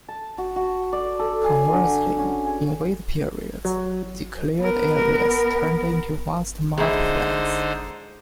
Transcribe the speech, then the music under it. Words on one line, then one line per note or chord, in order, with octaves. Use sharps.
Conversely, in wet periods, the cleared areas turned into vast mud flats.
A5
F#4
F#4
D5
A4
G#5
D3
C#4
G#4
F#3
B3 A#4
D3 G#3 D#4 E4 C5